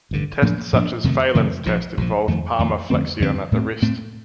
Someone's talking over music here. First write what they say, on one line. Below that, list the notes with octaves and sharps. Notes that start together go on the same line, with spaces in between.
Tests such as Phalen's test involve palmarflexion at the wrist.
A1 G2 D3
A2 F3 A#3 D4
A2 F3 A#3 D4
F2 C3 D#3 A3
F2 C3 D#3 A3
A#1 A#2 F3
A#1 A#2 F3
F2 D#3 A3
F2 D#3 A3
F2 D3 A3 C4
F2 D3 A3 C4
A2 A3 C4
A2 A3 C4